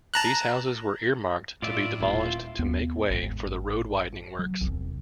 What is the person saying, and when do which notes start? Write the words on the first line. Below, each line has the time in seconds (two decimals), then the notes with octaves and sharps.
These houses were earmarked to be demolished to make way for the road-widening works.
0.14 A5 A#5 F#6
1.62 A2 F4 D5 E5
2.01 D#1 E4 F4
2.59 D#2 B3
3.10 G#1 G#2
4.39 F#3
4.61 E1 C2